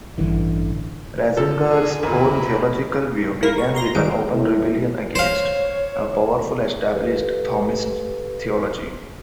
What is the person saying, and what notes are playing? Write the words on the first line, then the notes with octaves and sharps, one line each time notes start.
Ratzinger's own theological view began with an open rebellion against powerful established Thomist theology.
A1 G2 D3 E3
F3 A4
G#4
D#2 A#2 E4 A#4
A#3 E4 A#4
C#6
A#5 C6 A#6
G#1 A2 D#3 F#3 G3 D7
A2
C5 C#5 F5
G4 A4 B4 F5